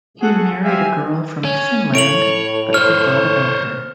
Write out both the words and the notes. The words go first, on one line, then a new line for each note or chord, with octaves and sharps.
He married a girl from "Finnland", but forgot about her.
F#4 G#4 A4 F#5
C4 G4 E5 F5 G#5
C#4
A2 C#5 D7 F7 F#7
C5 C#5 F6